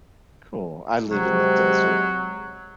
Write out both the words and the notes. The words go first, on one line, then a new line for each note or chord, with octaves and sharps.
Cool, I live in the desert.
C3 F#3 G#3